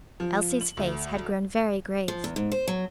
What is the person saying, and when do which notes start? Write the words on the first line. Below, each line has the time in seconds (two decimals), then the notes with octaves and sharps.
Elsie's face had grown very grave.
0.20 F3
0.61 F#7
0.77 D2
2.08 F3
2.24 E2
2.36 G#2
2.52 C5
2.68 F#3